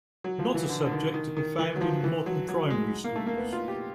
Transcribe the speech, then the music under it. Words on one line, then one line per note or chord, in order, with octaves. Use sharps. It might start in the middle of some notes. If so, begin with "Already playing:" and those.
Not a subject to be found in modern Primary Schools.
F#3
F3
E3
D3
D3
D#3
D#3
D#3
E3
F#3
F3
E3
F#3
F#3
G#3
A#3
A3
A#3
B3
F4
G4